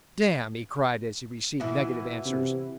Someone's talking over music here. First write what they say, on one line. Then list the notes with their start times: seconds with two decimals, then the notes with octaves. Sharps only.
"Damn!" he cried as he received negative answers.
1.60 B2 E3 E4
2.26 C3